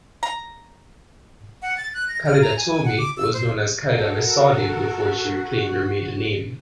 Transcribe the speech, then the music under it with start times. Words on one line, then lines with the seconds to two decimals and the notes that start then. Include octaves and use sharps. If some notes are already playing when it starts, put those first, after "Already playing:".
Khalida Toumi was known as Khalida Messaoudi before she reclaimed her maiden name.
0.23 A#5
1.62 F#5
1.77 A6
1.94 F#6
2.08 A#6
2.26 F6
2.42 A#5
2.57 G#5
2.85 F#5
2.98 D6
3.17 E6
3.34 C5
3.88 F#4 A4 A#4